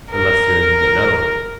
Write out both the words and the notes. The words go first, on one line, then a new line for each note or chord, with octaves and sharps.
Unless you're in the know.
A#4